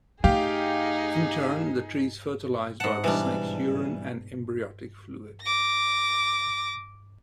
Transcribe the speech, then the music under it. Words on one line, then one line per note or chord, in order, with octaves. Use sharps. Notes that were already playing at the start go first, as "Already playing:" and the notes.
In turn the tree is fertilized by the snake's urine and embryotic fluid.
A3 D#4 G4 G#4 F5 G5
G#2 F#5 A5
B2 E3 G3 D4
D6 A#6